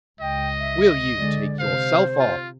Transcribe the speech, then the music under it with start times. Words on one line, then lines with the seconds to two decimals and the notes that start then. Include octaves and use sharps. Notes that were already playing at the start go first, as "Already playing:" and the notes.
"Will you take yourself off!"
0.21 C#2 D#5 G5
0.59 E5
1.17 D3 G#3 D5
1.59 C3 C5 F5
2.19 F4